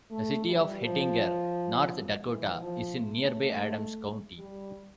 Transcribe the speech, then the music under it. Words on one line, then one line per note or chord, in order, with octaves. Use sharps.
The "city" of Hettinger, North Dakota, is in nearby Adams County.
A3
G3
F3
E3
F3
A3
G3